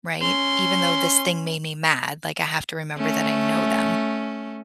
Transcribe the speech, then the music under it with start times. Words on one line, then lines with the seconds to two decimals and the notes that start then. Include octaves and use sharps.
right? Even though this thing made me mad, like, I have to remember that I know them.“
0.22 C#4 C6
2.97 A3 C#4